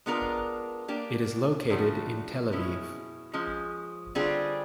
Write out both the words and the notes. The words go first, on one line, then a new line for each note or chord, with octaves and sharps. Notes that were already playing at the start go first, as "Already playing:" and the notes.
It is located in Tel-Aviv.
G#3 B3 D4 F4 A#4
A#3 D4 G4
C#3 F3 A3 D4 F#4
B2 G#3 C#4 E4
F3 G#3 C#4
D3 G3 C4 F4 G#4